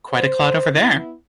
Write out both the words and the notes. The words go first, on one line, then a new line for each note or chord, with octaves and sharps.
Quite a clot over there.
C5
B3 E4